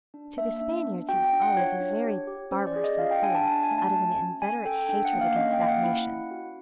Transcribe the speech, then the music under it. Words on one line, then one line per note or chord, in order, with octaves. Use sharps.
To the Spaniards he was always very barbarous and cruel, out of an inveterate hatred against that nation.
D4
A#3 E5
D4
B3
F#4 G5
G5
D4
F#5
F4 C#5
D4
G4
G4
C#4 C5
D5
G#4
D#5
F4 F5
G5
D4 G#5
A5
D4 G#5
G#5
A3
A5
F#4
C#4
C#4 G#5
A4 G5
D4 G5
F#5
A#3
F5
C#4 D#5
G5
A#3 F5
F#5
E4
C#4
F#4